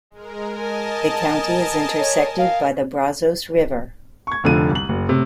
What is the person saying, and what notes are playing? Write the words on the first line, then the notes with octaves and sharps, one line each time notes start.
The county is intersected by the Brazos River.
G#3 A#4
A#4 D#5 G#5 A5
C#5
F5
C#6 G#6
F1 D3 F3 D#7
C2 F#7
F#1
A2 C3